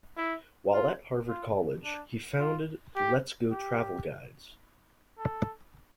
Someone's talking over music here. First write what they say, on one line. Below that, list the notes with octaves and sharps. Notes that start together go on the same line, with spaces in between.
While at Harvard College, he founded Let's Go Travel Guides.
E4
F4
F4
D4
F4
G4
G4
A4